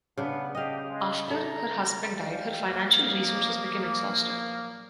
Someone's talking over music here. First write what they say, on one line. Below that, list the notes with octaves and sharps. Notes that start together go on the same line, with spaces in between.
After her husband died her financial resources became exhausted.
C#3 B3 D4
G4 D#5 F5
G#3
A4 E5 A#5
G4 D5 D#5 F5 G5
A#2 F3 F#3 A#3